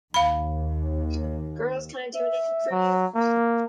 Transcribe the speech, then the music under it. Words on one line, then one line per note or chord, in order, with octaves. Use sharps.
Girls, can I do anything for you?
D#2 F5 B5
E5
F#3
A#3